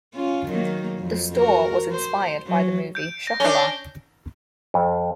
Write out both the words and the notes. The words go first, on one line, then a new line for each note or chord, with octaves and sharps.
The store was inspired by the movie "Chocolat".
C#4 F4
D#3 F#3 A#3
F2
F#4 A#4
C5
F#3
G6 D7
A#6
C#4 D4 G7
F2